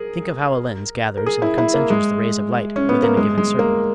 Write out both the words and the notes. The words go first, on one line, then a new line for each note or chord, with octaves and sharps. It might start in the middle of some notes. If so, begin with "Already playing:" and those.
Think of how a lens gathers and concenters the rays of light within a given circle.
Already playing: G#4 A#4
A#4
G#4
E4
E4
A#3
G#3
C#4
B3
A#3
G#3
G#3
A#3